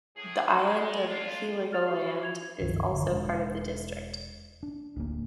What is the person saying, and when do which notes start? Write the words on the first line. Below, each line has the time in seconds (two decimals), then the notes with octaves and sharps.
The island of Heligoland is also part of the district.
0.15 A2 G#4
0.55 G#3
1.06 E2 G#3 D4 F4
1.73 F6 A6 F7
1.87 F#4 C#6 C7
2.23 G#6 F7
2.60 C#2 G2 D#3 F3
2.90 D1 G1 E2 D3
3.10 E1 G#3 D4
4.63 D4
4.96 D1 D2 A#3